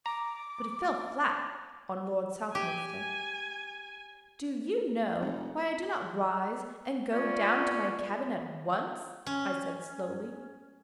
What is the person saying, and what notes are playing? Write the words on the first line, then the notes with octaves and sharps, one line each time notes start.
But it fell flat on Lord Southminster. 'Do you know why I do not rise and go down to my cabin at once?' I said, slowly.
A#5 D6
G4 G#5
F1
B3 C#4 F4 D5
C#4